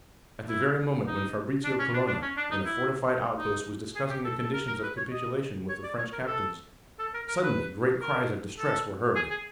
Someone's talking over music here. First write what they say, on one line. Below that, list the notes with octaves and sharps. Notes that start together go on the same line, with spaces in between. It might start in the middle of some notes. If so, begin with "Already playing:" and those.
At the very moment when Fabrizio Colonna in a fortified outpost was discussing the conditions of capitulation with the French captains, suddenly great cries of distress were heard.
E4
D#4
D4
C#4
D4
D4
C#4
D4
D#4
E4
D#4
G#4
G4
A4
A4
A#4
A#4
B4
C#5
D#5
C#5
D5
C#5
A#4
A4
A4
A#4
A#4
B4
A#4
A4
G#4
G#4